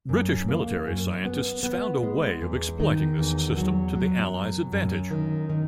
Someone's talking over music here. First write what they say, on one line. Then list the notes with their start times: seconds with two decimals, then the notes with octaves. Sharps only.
British military scientists found a way of exploiting this system to the allies' advantage.
0.09 F#2
0.48 A#3
0.87 F#2
1.25 B3
1.63 B3
2.03 G#3
2.41 E2
2.80 D#3
3.19 E2
3.57 F#3
3.96 F#3
4.35 F#2
4.72 F#2
5.11 D#3
5.50 D#3